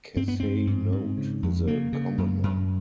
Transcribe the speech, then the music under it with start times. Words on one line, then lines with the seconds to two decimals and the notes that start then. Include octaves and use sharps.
Kessai Note is a commoner.
0.16 G2 C4
0.28 B3
0.40 G2 C4
0.67 G#2
0.92 G#2
1.17 C#3
1.43 F2
1.67 C#3 A#3
1.93 C#3
2.18 F#2
2.43 F#2